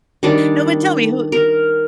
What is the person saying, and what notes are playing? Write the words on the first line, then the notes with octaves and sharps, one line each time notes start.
No, but tell me who
D#3 G3 D4
A#4